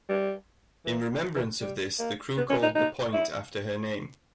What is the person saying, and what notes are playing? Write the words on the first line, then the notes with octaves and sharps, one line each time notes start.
In remembrance of this the crew called the point after her name.
G3
E3
E3
G3
A#3
B3
C#4
D#4
D#4
E4